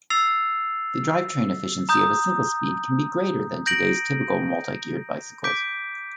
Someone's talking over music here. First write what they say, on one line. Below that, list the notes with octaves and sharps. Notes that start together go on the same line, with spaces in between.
The drivetrain efficiency of a single-speed can be greater than today's typical multi-geared bicycles.
E6 A6 C7 F7
A#5 D#6 G6
G6 A#6 D7 F#7
D6 G6 B6 D7